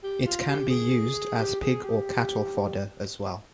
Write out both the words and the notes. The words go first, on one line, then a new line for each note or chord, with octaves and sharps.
It can be used as pig or cattle fodder, as well.
G4
F4
G4
G#4
G4
G#4
G4